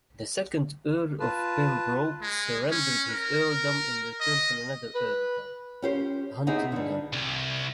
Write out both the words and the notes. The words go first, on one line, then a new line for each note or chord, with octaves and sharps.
The second Earl of Pembroke surrendered his earldom in return for another earldom, Huntingdon.
F4 B4 A5
G#3
C#4
A#4
D#5
B4
C#4 G4 C5
B3 C4 D#4 E4 G4 G#4
G2 D3
C2